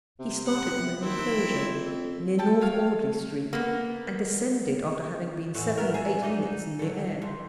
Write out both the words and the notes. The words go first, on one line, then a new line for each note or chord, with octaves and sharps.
He started from an enclosure near North Audley Street, and descended after having been seven or eight minutes in the air.
C3
F#5
D#2 C4 E4
F2
A4 G5 A5
C#5 F5
A#3 B3
E2 A2 F#4
B3 A#4
G#4 E5
D4 D#4 F#4
F#3 A4
F2